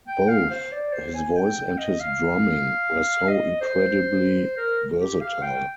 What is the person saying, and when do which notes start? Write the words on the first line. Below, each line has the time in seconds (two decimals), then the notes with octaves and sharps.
Both his voice and his drumming were so incredibly versatile.
0.08 G5
0.28 F5
0.50 C5
0.72 D5
0.93 C5
1.14 G#5
1.36 G5
1.57 G5
1.78 D#5
2.00 F5
3.28 D#5
3.61 C5
4.57 A#4
4.99 G4
5.21 F5
5.42 G5